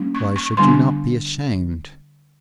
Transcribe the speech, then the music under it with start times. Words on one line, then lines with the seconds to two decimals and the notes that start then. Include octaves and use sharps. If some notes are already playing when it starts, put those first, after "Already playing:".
Why should you not be ashamed?
Already playing: G3 A#3 C#4
0.15 C#6
0.36 C#6
0.57 D3 G3 B3 D4 C6